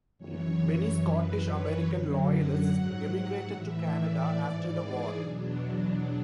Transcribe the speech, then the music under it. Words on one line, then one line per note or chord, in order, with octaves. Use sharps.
Many Scottish American Loyalists emigrated to Canada after the war.
F#2 E3 C#5
F#2 E3 B4
C#5
F#2 D3 F#3
F#5
G#2 F#3
A2 E3 E5
D5
G#2 E3
G#4
E2 B2 F#3 D4
D4